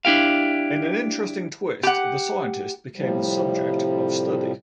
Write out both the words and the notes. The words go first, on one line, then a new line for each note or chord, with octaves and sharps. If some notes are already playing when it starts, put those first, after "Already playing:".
In an interesting twist, the scientist became the subject of study.
D4 E4 G4 F5
G4 F#5
A2 C3 F3 G3